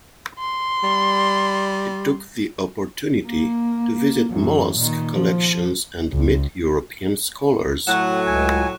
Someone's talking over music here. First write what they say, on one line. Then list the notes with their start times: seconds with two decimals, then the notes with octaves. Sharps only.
He took the opportunity to visit mollusk collections and meet European scholars.
0.39 C6
0.83 G3
3.26 A#3
4.31 F#2 E3
4.76 A#2 D#3
5.13 F3
6.12 C#2
7.87 A2 F#3 F#5 C#6 F#6 E7
8.27 C#2 G#5